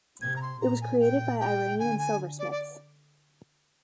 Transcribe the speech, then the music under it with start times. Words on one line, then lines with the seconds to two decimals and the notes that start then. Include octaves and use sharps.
It was created by Iranian silversmiths.
0.21 C3 G#6
0.36 A#5
0.42 C6
0.61 A#2 A#5
0.81 G#5
1.00 G5
1.39 G5
1.79 D3 G#5
1.98 G#5
2.39 D5
2.51 D5